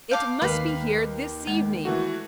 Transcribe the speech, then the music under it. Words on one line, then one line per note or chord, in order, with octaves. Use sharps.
It must be here this evening!
F5 A5 D6 G6
D#2 B4 F5
G#3
E3 A3 F#4